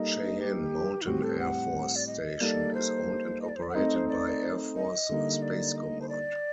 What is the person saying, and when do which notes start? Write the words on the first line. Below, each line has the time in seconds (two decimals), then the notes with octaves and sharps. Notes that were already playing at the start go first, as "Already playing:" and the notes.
Cheyenne Mountain Air Force Station is owned and operated by Air Force Space Command.
Already playing: G3 A#3 D#4 A4 D#5
0.40 G4
1.02 D#4
1.06 A2 G3 C4 F#4 G4
1.23 A4
1.39 F#5
1.96 D5
2.07 D#5
2.40 G3 A#3 D#4 A4 D5
2.74 C5
3.42 D#5
3.49 D5
3.56 C5
3.63 D5
3.70 F#5
3.74 A3 C4 D#4 D#5
3.96 C5
4.09 D5
4.76 D#5
5.09 D3 G3 A#3 D#4
5.42 D5
5.76 D#5
6.01 C5
6.09 D5